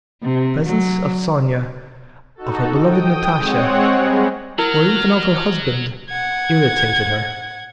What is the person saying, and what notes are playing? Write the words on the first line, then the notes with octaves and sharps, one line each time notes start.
The presence of Sonya, of her beloved Natasha, or even of her husband irritated her.
C3
F#3
D#4 F#4 A4
G5 D#6
G#3 C4 C#5 F#5
G3 G#3
F#3 E4 A#4 F6
F#5 G#6